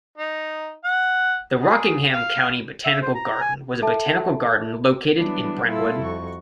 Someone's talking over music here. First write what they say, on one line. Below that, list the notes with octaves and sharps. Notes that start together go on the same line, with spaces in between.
The Rockingham County Botanical Garden was a botanical garden located in Brentwood.
D#4
F#5
G#4
F5
E5
C5
A#5
G#5
A4 E5 A5
E3 F#3 G3 B3 D4
A#2 G3 E4 F4 A4 E6
F2 F#4 C#6